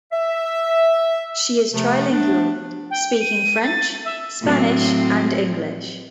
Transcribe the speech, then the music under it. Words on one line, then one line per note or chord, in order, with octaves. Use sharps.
She is trilingual, speaking French, Spanish and English.
E5
C3 F3 A3
A3 B3 D4
G5
D#7
A6
E5
A2 F#3 C4